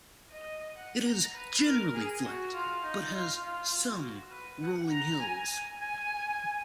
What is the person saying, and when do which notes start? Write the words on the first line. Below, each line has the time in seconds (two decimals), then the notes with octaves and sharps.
It is generally flat, but has some rolling hills.
0.31 D#5
0.76 F#5
1.06 A#5
1.35 B4
1.65 A#4
1.94 G#4
2.24 F#4
2.54 F4
2.83 D#4
3.13 F4
3.43 F4
3.87 F#4
4.32 B4
4.61 F#5
4.91 A#5
5.20 G#5
5.50 G#5
5.80 G#5